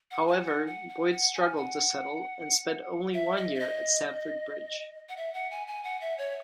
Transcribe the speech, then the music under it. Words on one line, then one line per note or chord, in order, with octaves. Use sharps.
However, Boyd struggled to settle and spent only one year at Stamford Bridge.
F#5
G#5
F#5
F#5
F#5
F#5
G#5
F#5
E5
D#5
E5
D#5
F#5
E5
F#5
G#5
G#5
F#5
E5
C#5